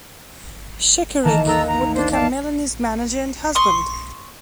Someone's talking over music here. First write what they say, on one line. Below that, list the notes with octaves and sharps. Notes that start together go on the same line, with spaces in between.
Schekeryk would become Melanie's manager and husband.
D#3 E3 A#3 A5 A#5
D#2 A4 A#5 E6
A#5
D4 C5
D5 F5 A5
C6 C#6 D#6